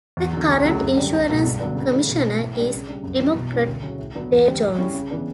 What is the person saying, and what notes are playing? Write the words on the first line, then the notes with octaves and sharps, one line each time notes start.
The current Insurance Commissioner is Democrat Dave Jones.
E2
D3 F#3
C#2
C#3 F#3 A3
F#2
D3 G3 D4
C#2
B2 F#3 A3
G2
D3 F#3 B3 D4
C#3
E3 A3 D4
B2
A3 D4
A2
G3 D4
C#3
G3 D4
F#2
E3 G3 B3
B2
G3 C#4 E4
D2
C#3 F#3 C#4
A2
F#3 B3 D4
E2
D3 G3 D4
A2
G3 C#4 E4
C#3
E3 B3 D4